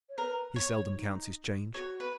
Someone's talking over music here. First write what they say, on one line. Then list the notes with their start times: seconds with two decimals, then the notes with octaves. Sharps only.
He seldom counts his change.
0.09 C#5
0.17 A#4 B4
0.56 C#5
0.96 D#4
1.74 F#4 C#5
2.00 B4